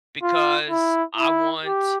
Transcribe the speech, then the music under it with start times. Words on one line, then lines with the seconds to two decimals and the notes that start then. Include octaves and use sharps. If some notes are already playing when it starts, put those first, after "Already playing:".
because I want"
0.23 F4
0.70 E4
1.18 E4
1.65 G4